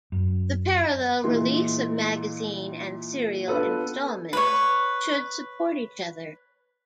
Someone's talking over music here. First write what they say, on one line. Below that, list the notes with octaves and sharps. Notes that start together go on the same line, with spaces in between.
The parallel release of magazine and serial installments should support each other.
F#2
A#2 E3 G#3 C6
B3 D4 F4 A4 B4
B4 C#5